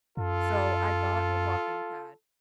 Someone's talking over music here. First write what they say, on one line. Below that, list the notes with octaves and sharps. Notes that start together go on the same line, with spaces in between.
So, I got a walking pad
F#2 F4 A4